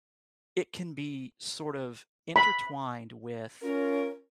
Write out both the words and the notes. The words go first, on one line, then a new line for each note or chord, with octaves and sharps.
it can be sort of intertwined with
B5
C#4 F4 A#4